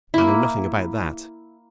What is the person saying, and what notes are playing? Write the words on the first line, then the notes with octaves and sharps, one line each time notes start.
"I know nothing about that."
A#3 E4